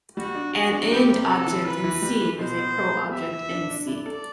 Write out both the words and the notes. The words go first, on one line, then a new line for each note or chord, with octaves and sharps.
An ind-object in "C" is a pro-object in "C".
G3 F#4
D4
F#4 G4
D4
G3 G4
C3
C3 A4
E3
E3 B4
E3
G3
E3
B2 C5
B2
B3
G3
G4 E5
E3
D4
D4
E4 D5
A4